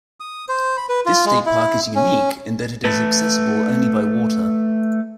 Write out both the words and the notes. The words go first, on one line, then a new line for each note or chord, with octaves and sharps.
This state park is unique in that it is accessible only by water.
D#6
C5
B5
B4
F4
G#3
E4
C#4
A3 B4 A5